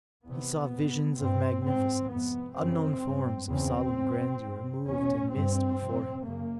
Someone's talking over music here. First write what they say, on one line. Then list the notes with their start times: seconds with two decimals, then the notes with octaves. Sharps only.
He saw visions of magnificence; unknown forms of solemn grandeur moved in mist before him.
0.27 E2 C3 B3
0.74 G#2
1.19 G2 C4
1.65 G#2 C4
2.11 F2 C3 B3
2.57 F#2 C#3 C4
3.02 G2
3.48 E2 C#3 C4
3.95 G#2
4.41 G2
4.86 E2 B2 C#4
5.33 G2 C4
5.79 F2 C3
6.25 F#2 C#3 A#3